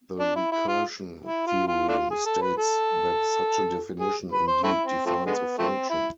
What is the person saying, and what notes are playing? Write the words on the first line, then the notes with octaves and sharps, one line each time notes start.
The recursion theorem states that such a definition indeed defines a function.
D4
E4
E4
F4
E4
F4
F4
A3 D4 F4
G#4
A4
B4
A4
G#4
B4
C5
A3 C4 E4
C4
F3 A3 C4
D3 G#3 B3
F3 A3 C4
E4